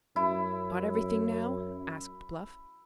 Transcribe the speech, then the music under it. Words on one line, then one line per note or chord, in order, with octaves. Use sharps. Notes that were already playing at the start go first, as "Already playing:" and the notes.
"Got everything now?" asked Bluff.
F#2 E4